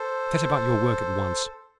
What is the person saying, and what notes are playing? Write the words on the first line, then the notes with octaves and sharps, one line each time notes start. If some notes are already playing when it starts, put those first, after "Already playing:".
'Set about your work at once.
Already playing: A4 C5